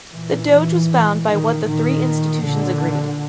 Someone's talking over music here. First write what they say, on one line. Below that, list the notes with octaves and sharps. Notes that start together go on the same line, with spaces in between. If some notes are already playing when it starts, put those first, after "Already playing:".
The Doge was bound by what the three institutions agreed.
A#2 E3
A#2
D#3
A#2 D#3
A#2 D3